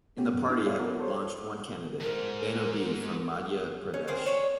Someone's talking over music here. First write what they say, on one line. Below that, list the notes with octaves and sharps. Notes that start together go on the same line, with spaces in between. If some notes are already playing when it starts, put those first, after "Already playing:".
In the party had launched one candidate, Bano Bee from Madhya Pradesh.
A3 C#4 F#4 G4
F#2 B2
D4 E4 D6 F6
G#4 A4 C#5 D5 E5 F5
B3 E4 F#4 A#4
A4 C5 C#5
D2 G#2 A#4
C#4
D#3 A#3 C4 G#4
C#5 D5